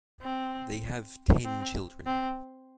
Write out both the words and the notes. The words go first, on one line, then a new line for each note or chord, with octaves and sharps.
They have ten children.
C4
C4
C4